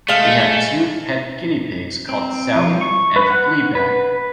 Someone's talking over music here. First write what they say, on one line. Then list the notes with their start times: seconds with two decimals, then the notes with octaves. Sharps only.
They had two pet guinea pigs called Sally and Fleabag.
0.09 G#3 A3 F5
2.09 C4
2.56 F3
2.81 C#6
3.16 B4
3.30 F#5
3.75 B4